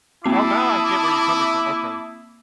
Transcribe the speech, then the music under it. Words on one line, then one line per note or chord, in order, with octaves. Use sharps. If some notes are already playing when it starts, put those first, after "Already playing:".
Oh, now I get where you're coming from, okay.
A#3 C4 E4 A5 D6 D#6 C7